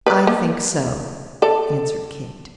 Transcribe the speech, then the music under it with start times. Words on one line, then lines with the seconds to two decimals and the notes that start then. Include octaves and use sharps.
"I think so," answered Kate.
0.06 B4 D5
0.27 A#3
1.42 A4 D5